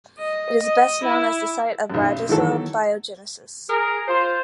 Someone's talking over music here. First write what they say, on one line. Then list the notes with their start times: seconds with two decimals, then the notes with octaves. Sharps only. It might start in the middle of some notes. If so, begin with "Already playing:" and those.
It is best known as the site of ribosome biogenesis.
0.19 D#5
0.66 D#5
1.04 E4
1.90 B1 F#2
2.29 D#3 E3 F#3 A4
3.69 G#4 A#4
4.08 F4 C5